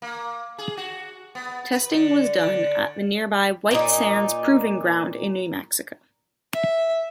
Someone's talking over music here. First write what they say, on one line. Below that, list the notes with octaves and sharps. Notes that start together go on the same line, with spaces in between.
Testing was done at the nearby White Sands Proving Ground in New Mexico.
A#3
G#4
F#4
B3
B4
D3
D3
A#2 D#4
E5